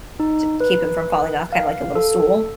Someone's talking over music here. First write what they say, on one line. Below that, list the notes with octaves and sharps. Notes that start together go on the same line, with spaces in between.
to keep him from falling off, kind of like a little stool,
D#4
B4
F5
A4